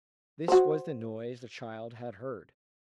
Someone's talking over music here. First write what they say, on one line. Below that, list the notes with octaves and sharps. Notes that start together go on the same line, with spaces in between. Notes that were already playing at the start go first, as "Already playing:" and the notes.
This was the noise the child had heard.
F#4 C5